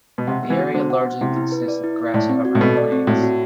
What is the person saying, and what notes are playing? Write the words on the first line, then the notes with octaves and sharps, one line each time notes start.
The area largely consists of grass-covered plains.
B2
C3 F#5
B3
E3
F#4
D3 C5
F#5
B3
C3 E4
E4
B4
D5
E4
E4
A2 D5
C4
F#4
A2
B2 A4
D5
C4
A2 F#4
F#4